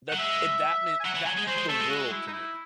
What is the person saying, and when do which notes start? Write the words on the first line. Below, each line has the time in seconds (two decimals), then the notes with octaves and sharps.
That it that meant that meant the world to me.
0.09 F#3 F#5
0.19 G#3 E5
1.00 G#5
1.05 F#3 F#5
1.15 E3
1.26 F#3 G#5
1.37 G#3
1.47 F#3 C5
1.58 G#3
1.69 A3 A4
1.80 G#3
1.90 F#4
2.11 E4
2.27 D#4
2.33 E4